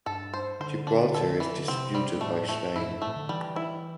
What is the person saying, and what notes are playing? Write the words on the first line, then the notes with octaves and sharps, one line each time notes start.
Gibraltar is disputed by Spain.
G2 A4
C5
D3 C5
D4
A4
E3
D3
C3 C4
G3
A2 A3
A3
G2 E4
A2
G2
A2 A3
D3
E3 G3
E4